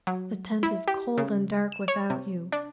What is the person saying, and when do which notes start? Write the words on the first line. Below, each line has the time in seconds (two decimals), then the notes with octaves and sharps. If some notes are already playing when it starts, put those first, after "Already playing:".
The tent is cold and dark without you....
0.07 F#3
0.63 E4
0.88 G4
1.18 C#3
1.72 E7
1.88 C#5
2.10 C3
2.52 D4